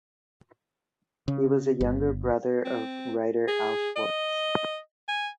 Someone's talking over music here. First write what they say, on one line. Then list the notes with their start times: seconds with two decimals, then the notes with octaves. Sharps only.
He was a younger brother of writer Al Schwartz.
1.28 C#3
1.81 G1
2.65 C4
3.48 G#4
3.96 D#5
5.08 G#5